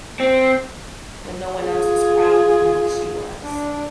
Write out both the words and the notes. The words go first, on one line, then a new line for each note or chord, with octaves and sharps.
When no one else was proud of me, she was.
C4
F4 G#4
D4